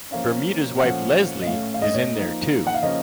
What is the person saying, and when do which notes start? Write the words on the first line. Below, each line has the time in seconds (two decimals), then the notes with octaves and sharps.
Bermuda's wife Leslie is in there too.
0.11 F3 A#3 C#4 F5
0.79 A#2 F3 A3 C#4 F#5
1.42 D#5
1.47 A2 A3 C#4 F5
1.74 F5
1.82 D#5
1.94 C#5
1.98 D#5
2.15 F3 A#3 D#4
2.67 F#5
2.74 F5
2.82 C#3 F3 A#3 C#4 D#5